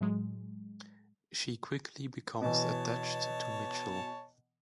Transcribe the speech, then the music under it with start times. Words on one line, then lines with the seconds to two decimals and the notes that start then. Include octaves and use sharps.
She quickly becomes attached to Michel.
0.01 A2 F#3 G#3
2.41 B2 E3 C#5 A5